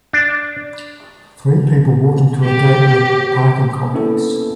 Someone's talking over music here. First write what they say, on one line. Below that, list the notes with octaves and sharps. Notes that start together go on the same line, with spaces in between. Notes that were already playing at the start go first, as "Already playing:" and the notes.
Three people walking through a gate in a parking complex.
D4
G4
A#3 B3 C#4 D4 E4 A4